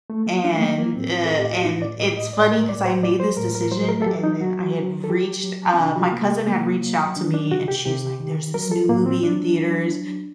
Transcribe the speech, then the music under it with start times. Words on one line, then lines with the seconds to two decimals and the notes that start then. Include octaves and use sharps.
and, uh, and it's funny, 'cause I made this decision, and then I had reached uh, my cousin had reached out to me, and she was like, "There's this new movie in theaters.
0.10 A3
0.26 F#3 A#3
0.44 D4
0.54 A3
0.61 F#3 A#3
0.78 A#3
0.95 A2 C4
1.25 A4
1.31 A2
1.39 G4
1.52 F#4
1.65 A2 D#4
1.82 D5
1.99 A2 D#5
2.17 D#5
2.33 A2 D5
2.51 A#4
2.69 A2 D5
2.85 C5
3.02 F#3 D5
3.20 C5
3.37 A2 A#4
3.55 A#4
3.72 F#3 C5
3.89 A#4
4.02 A4
4.06 F#3 G4
4.24 D#4
4.41 F#3 F#4
4.75 F#3
5.04 A4
5.10 F#3 G4
5.44 F#3
5.73 C4
5.79 C3 D4
5.96 F#4
6.13 C3 A#3
6.30 A3
6.47 F#3 A#3
6.82 F#3
7.17 D#3 D4
7.34 D4
7.51 C3 F#4
7.68 G4
7.85 C3 G4
8.20 D#3
8.54 F#3 A#4
8.72 A4
8.89 A2 A#3
9.06 C4
9.23 F#3 D4
9.58 F#3
9.92 F#3